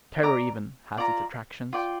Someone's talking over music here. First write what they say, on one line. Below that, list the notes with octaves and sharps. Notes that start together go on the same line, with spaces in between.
Terror even has its attractions.
D5 A#5 D6
F4 D5 A#5
F4 D5 G5